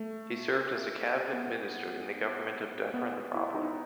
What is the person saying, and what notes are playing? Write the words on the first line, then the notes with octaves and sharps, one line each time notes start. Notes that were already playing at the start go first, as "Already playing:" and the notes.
He served as a cabinet minister in the government of Dufferin Roblin.
Already playing: A3
B3
B3
E4
D#4